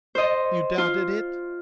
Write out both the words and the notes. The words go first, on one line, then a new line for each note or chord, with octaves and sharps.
"You doubted it?"
C5 D#5
F4